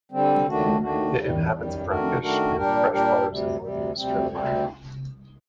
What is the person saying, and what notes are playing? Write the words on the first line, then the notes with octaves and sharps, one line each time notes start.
It inhabits brackish and freshwaters in northern Australia.
D3 G3 C4
D#2 D#3 A3 D4 F#4
D#2 D#3 A3 D4 F#4
F#2 D#3 G3
F#2 D#3 G3
D#3 A3 D4 F#4 A#4
D#3 A3 D4 F#4 A#4
A#2 G3 D4 G4 A#4
A#2 G3 D4 G4 A#4
D2 C3 G3
D2 C3 G3
D2 C3 G3 C4
D2 C3 G3 C4